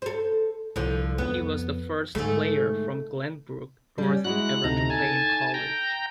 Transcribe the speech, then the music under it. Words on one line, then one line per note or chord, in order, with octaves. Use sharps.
He was the first player from Glenbrook North ever to play in college.
A4 C5
C2 D3 F3
F2 B3
G#2 D3 A3
G3 C#4
G#3 E4 F#4 F#6
D2 C3 D#4 A4 A#5
G#5 A5
G5 A#5